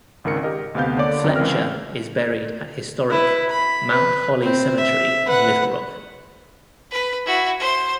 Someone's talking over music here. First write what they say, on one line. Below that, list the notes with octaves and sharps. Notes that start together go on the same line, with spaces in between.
Fletcher is buried at historic Mount Holly Cemetery in Little Rock.
G#1 C#2 D#3 A#4 C#7
G4 A#4 D#5
D2 C3 B3 F5 G6
D3 A#3 C#5 D5 D6
F#2 C4
C#2 E3 C4 A#4 F6
E4 B4
B5
B4
C4
E5
B4 F#5
B4
E4 F#4
C5 C6